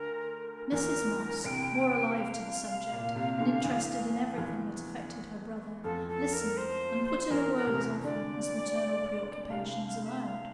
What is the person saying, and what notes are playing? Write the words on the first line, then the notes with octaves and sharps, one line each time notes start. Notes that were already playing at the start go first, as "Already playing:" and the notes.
Mrs. Moss, more alive to the subject, and interested in everything that affected her brother, listened and put in a word as often as maternal preoccupations allowed.
Already playing: D2 D3 A#4
E2 E3 A#4
C2 C3 G5
E5
F5
A#2
C2 C3
D2 D3
E2 E3
F3
E2 E3
F2 F3 A4
A4
A#4
C5
E2 E3 A#4
A#4
C2 C3
D2 D3 D5
C2 C3 F5
F5
F5
E5
F5